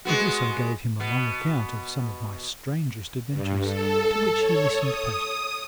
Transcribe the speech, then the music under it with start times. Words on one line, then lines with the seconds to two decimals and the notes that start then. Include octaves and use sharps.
With this I gave him a long account of some of my strangest adventures, to which he listened patiently.
0.05 G#3 B3 F#4
1.00 B2 B3
3.29 G2
3.63 A4
4.39 C#5
4.76 D#6